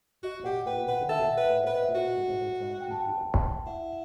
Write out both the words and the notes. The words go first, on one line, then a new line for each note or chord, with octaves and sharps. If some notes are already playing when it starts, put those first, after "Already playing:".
The solution was for the School to build its own computer.
F#4 D#5
G4 F#5
B4 G5
B4 F#5
A4 E5
F#5
B4 E5
B4 C5
D#5
E5
F#4 F#5
G5
A5
G5
A5
G5
E4 F#5